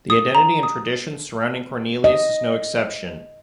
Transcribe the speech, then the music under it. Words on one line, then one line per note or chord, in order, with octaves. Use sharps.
The identity and traditions surrounding Cornelius is no exception.
D#6
A#5
D#6
D#5